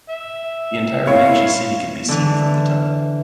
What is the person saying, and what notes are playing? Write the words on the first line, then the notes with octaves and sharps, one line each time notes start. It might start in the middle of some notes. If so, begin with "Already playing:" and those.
The entire Ranchi city can be seen from the temple.
E5
A#3 C4 E4 C#5 F5
D3 E3